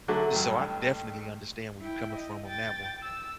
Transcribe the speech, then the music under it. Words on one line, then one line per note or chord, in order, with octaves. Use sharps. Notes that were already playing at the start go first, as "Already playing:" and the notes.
So, I definitely understand where you're coming from on that one,
D3 F#3 A3
A1 G2
E4 G5
D#5
G5 A6
E6